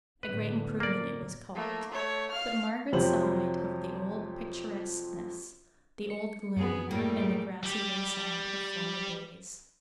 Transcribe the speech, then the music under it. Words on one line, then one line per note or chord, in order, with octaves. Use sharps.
A great improvement it was called; but Margaret sighed over the old picturesqueness, the old gloom, and the grassy wayside of former days.
A2 D3 B3 B4
A#3 D5
A3 A#3
A3 C#5
F5 F6
F2 C3 F#3 G4 C5 F#7
C#7
F#2 B3 G#4
A2 G3 A3 A#3 G#4
G3 G4